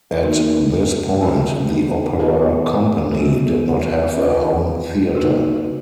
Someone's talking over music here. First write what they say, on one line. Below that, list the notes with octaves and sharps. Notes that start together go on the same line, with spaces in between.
At this point the opera company did not have a home theatre.
A#3 D#4 F#4 A#4
F#3 C#4 F#4
B3 F4 G#4 B4 D#5
F#3 B3 F#4
C#4 F4 B4 D#5
A#3 D#4 F#4 B4